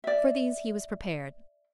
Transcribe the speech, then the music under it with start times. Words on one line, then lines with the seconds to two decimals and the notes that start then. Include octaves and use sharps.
For these he was prepared.
0.04 D5 E5